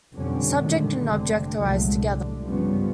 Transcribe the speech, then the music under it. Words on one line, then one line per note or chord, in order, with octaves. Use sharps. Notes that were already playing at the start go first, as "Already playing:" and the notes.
Subject and object arise together.
F2 B2 D3 G3 C4 C#4
A#2 D3 D#3 F#3 G#3 A3
F1 D3 C4
C2 A#2 F3 F#3 G#3 A3
D3
G2 C#3 F3 G3 B3 C#4